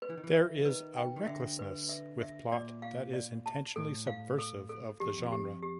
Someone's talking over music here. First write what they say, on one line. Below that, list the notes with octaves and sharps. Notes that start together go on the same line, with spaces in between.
There is a recklessness with plot that is intentionally subversive of the genre.
B4
E3
D#3
E3
E5
D#3 B4
G5
D#3
D3 E5
B4
E5
E5
A#2 D5
F5
D5
A5
A2 A4
F5
A4
A4
F2 G4
E2
F2
G4
G4